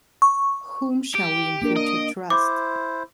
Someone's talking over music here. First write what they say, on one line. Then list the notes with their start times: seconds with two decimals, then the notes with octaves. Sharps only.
Whom shall we in future trust?
0.22 C#6
1.15 G4 D7
1.62 A#3 D4 A#4
1.76 D#5
2.30 E4 C5 D6